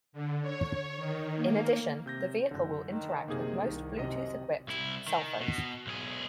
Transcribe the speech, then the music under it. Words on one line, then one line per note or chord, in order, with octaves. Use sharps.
In addition, the vehicle will interact with most Bluetooth-equipped cell phones.
D3
C#5
D#3
A#3
C3 G6 A#6
F#1 D3
D#3
F#1 C3 A#3 D#4 G#4
C2 D#3
F#2 C3 D#5
C2 E4
D#3
B2
B1 G#4